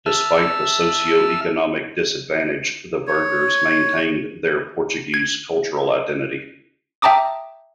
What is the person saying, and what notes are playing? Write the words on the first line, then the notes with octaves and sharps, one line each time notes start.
Despite the socio-economic disadvantage, the Burghers maintained their Portuguese cultural identity.
E5 A5 E6 F6
C#5
G#6
E5 G5 A5 A#5 D6 D#6